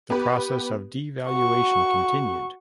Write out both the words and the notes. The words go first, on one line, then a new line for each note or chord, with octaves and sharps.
The process of devaluation continued.
B3 G4 B4
F#4 C#6